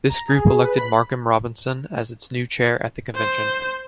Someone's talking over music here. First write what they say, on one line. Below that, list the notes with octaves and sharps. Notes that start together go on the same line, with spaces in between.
This group elected Markham Robinson as its new chair at the convention.
A#5
G#4
B4
B5
C5